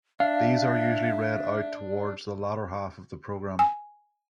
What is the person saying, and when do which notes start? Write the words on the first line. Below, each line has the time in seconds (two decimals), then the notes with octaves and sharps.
These are usually read out towards the latter half of the programme.
0.20 D4 E5 F5
3.59 G#5